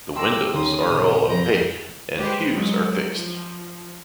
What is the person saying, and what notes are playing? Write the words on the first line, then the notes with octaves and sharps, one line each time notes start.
The windows are all opaque and pews are fixed.
G5 A5 C6 D6 E6 A#6
D#2 C#4 C6 D#6
A#2 C#3
F2 A#5 G6
G#3 G4 B4 C5
F#3 G#3
F3